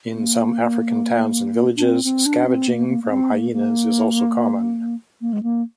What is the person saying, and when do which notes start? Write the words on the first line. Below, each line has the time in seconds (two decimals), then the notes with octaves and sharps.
In some African towns and villages, scavenging from hyenas is also common.
0.15 A#3
1.76 D4
1.83 C4
2.04 C4
2.26 D4
2.47 C4
2.68 A#3
2.89 A#3
3.04 A#3
3.10 C4
3.31 A#3
3.52 A#3
5.21 A#3
5.33 G#3
5.43 A#3